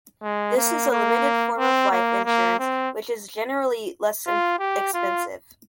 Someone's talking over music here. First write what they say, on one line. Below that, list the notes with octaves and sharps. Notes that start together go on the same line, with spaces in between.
This is a limited form of life insurance which is generally less expensive.
G#3
A#3
A#3
C4
A#3
A#3
C4
F4
G4
F4